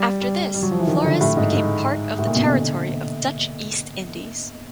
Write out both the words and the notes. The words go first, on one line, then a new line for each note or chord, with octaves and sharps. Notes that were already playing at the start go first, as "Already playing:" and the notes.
After this, Flores became part of the territory of Dutch East Indies.
Already playing: G3
G3
G3
F#3
F3
E3
D#3
D3
A2
G#2
G#2
A2
A#2
B2
C3
D3